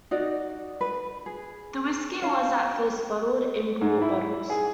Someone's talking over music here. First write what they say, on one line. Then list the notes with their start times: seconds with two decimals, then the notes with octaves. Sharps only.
The whisky was at first bottled in port bottles.
0.11 D#4 F#4 D5
0.81 B4
1.26 G#4
2.22 C#4 F5
3.81 G#2
4.01 E4
4.50 G#4